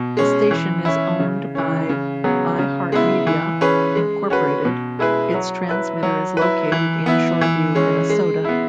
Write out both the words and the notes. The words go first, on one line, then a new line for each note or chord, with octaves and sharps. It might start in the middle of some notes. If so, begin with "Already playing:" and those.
The station is owned by iHeartMedia, Incorporated Its transmitter is located in Shoreview, Minnesota.
Already playing: B2
G#3 C#4
E3
C#4 E4
C#3
E3 C#4
C#3
F#3 B3 G#4
C#3
G#3 B3 E4
E3
C#4 G#4 B4
G#3
C#4 F#4 B4
B2
G#3 E4 G#4 B4
F#3
E4 B4
F#3
E4 B4
E3
B3 E4
E3
G#3 C#4
G#3
B3 E4